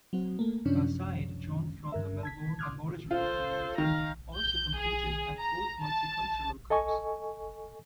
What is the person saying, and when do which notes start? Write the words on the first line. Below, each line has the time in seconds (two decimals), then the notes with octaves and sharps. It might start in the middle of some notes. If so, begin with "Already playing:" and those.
A side drawn from the Melbourne Aboriginal community also competed at both Multicultural Cups.
0.13 F#3 C4 F#4
0.39 A3 A#3
0.65 F#2 C3 F3 C#4 D4
1.92 G2 A#4 E5
2.23 A5 G#6 B6
2.59 C6 D6 D#6 F6 F#6 G#6
3.11 F4 A4 C5
3.78 D#3 F5 A#5
4.38 G6
4.78 G#4
5.40 A#5
5.83 A5
6.70 A4 D#5 G#5 C#6